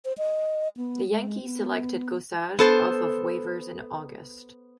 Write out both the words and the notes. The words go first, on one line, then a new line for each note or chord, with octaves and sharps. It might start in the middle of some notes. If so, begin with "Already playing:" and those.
The Yankees selected Gossage off of waivers in August.
C5
D#5
B3
G#3
B3
B3 A4 C5